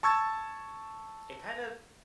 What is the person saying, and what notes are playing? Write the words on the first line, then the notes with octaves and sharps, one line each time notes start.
It kinda
A5 C#6 E6 G#6 A6